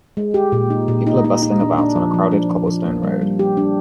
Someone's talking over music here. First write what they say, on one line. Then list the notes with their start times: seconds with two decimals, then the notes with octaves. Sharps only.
People are bustling about on a crowded cobblestone road.
0.17 G#3
0.34 G4
0.52 A#2
0.70 D#4
0.88 A#2
1.07 D#4
1.24 D#4
1.42 D#4
1.60 D4
1.78 D4
1.95 F3
2.14 F3
2.31 D4
2.50 F3
2.67 F3
2.85 A#3
3.03 G3
3.21 G3
3.39 G4
3.57 D4